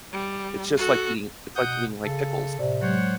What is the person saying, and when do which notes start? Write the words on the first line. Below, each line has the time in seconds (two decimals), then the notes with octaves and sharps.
It's just like eating, it's, like, eating, like, pickles.
0.12 G3
0.77 F#4 A4
1.56 B2 F#5 D#6 G6
2.03 C#3 A4
2.59 A2 C3 C5 D5
2.82 F#3 G#3 C5 C#5 F#5